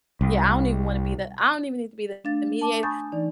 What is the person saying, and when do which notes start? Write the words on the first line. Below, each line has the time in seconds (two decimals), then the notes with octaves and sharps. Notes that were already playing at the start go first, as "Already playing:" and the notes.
Yeah, I don't even wanna be the I don't even need to be the mediato
0.21 C2
2.24 A3 D4 F5 A6
2.61 A5 D6
2.83 G#5 B5 C#6 D#6 G6 A6
3.12 E3 D#4 D5